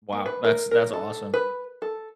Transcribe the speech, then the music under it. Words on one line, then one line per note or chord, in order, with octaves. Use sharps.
Wow. That's that's awesome.
A#3
B4
A#4
A#4
A4
B4
A4